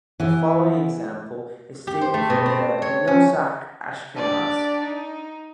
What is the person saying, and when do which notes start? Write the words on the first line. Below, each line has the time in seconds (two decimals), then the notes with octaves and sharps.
The following example is taken from the Nusach Ashkenaz.
0.20 E3 B3
1.87 G4
2.01 C5
2.14 A3
2.30 B2
2.46 C4
2.82 C#5
3.07 C#4
4.16 D4 G4 D5
4.80 D#4